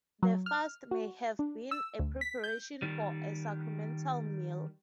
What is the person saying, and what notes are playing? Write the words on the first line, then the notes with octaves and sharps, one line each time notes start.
The fast may have been a preparation for a sacramental meal.
F#3
F6
F#4
D4
E6
D2
B6
G6
D#3 G3